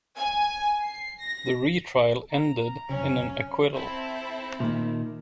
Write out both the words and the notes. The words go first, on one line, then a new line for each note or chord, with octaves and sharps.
The retrial ended in an acquittal.
G#5
C7
A#6
A#5
F1 F#2 C#3 C#4
C4 E4 A4
A#2 D#3